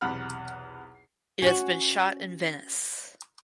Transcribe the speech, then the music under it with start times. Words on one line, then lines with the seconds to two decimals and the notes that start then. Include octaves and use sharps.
It has been shot in Venice.
0.01 B1 E2 C3 F#5 B5 F6
1.42 C#4 F#4